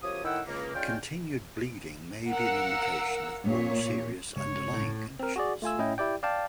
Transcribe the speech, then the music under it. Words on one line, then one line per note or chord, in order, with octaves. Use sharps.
Continued bleeding may be an indication of more serious underlying conditions.
F#2 F3 G4 C#5 D#6
A2 D#3 E4 F#5 G5 E6
C#2 C#3 A#3
G#3 C#4 F4 D5 F5 G5
A#4 F5 F#5 E6
A#2 C#5
G1 C#3 G#3 C#5
A2
C4 A#4
F#4 G#4 D5
A3 F4 G#5 E6
A2 C#4 E4 D#5 G5
E4 G4 D5 G5
D5 F5 G5 A5